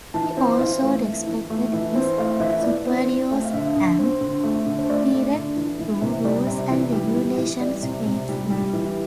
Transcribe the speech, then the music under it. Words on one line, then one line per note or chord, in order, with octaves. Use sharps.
He also respected his superiors and adhered to rules and regulations faithfully.
E3 A5
C4
E3 F5
A3
E3
E3
A3
E3
C4
A3 F5
E3 E5
E3 D5
C4
C4
A3 G5
F5
D3 E5
D3
C4
D3
A3
D3
C5
A3 D5
A3
D3
E3
E3
C3
G3 D5
C3
E3
G3
E3
E3
G3 D5
C3
C3
G3
G3
E3